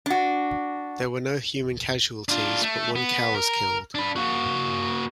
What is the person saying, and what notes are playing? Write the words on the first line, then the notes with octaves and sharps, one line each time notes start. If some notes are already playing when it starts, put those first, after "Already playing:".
There were no human casualties, but one cow was killed.
D4 F#4
D4 F4
A3
B3
A#4
D4 B5
A#3 F#4